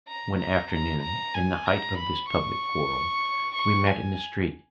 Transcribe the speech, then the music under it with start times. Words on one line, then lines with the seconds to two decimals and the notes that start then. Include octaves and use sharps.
One afternoon, in the height of this public quarrel, we met in the street.
0.08 A#5
0.40 A#5
0.71 A#5
1.03 A#5
1.34 G#5
1.66 A#5
1.98 B5
2.29 C#6
3.55 C#6
3.87 G#5